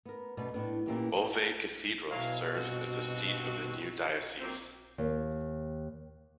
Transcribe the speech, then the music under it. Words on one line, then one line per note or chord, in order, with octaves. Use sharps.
Beauvais Cathedral serves as the seat of the new diocese.
B3 A#4
F#2 B2 A3 B4 D5
A2 B3 D4
A#2 E3 A#3 C#4 G4
B2 E3 F#3 F5
G2 C4 F#4
F#3 A#3 C4
D#2